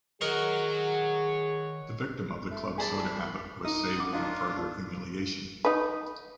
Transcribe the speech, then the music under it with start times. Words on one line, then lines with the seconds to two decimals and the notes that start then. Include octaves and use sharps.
The victim of the club soda habit was saved from further humiliation.
0.21 D#3 D#4 G#4 A#4 C#5 E5 F#5
2.50 A3
2.78 G#4 D5 A5 B5
3.65 D#4 D#6
3.96 F#2 D6
4.13 F3 D4 D#4 F4
5.65 D#4 B4